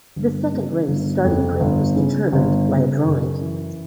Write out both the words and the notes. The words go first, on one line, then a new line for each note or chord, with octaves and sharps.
The second race starting grid was determined by a drawing.
G1
C#3
G1
F2
G1
C#3
G1
C#3
F#2
E3